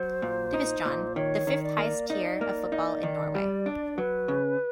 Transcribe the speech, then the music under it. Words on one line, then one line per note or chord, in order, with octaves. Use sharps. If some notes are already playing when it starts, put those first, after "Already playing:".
Divisjon, the fifth-highest tier of football in Norway.
Already playing: F#3 C5
A#2
D#4
A#2
D#3 C#5
D#3
D5
A#3
D#4 D5
A#3
D#4
D#3
G3
D4
F#3 B4
C#3